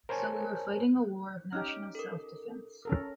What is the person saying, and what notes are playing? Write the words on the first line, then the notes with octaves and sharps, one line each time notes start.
So we were fighting a war of national self-defence.
A#4 C5 C#5 G#5 A5
C#4 D#4 G4 F6
A4 A#4
C#4 A4 A#4